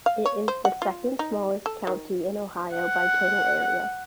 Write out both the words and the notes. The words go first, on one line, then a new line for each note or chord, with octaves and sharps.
It is the second-smallest county in Ohio by total area.
F5
C#5
C5
F#5
F4
D#4
A4
D#3
F#5